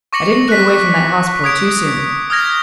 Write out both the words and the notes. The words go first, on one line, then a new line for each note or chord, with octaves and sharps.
I didn't get away from that hospital too soon.
C#6 D6 A#6 C#7 F#7
F#6 B6
D#6 G#6 D7
D#6 F6 G#6 A#6 G7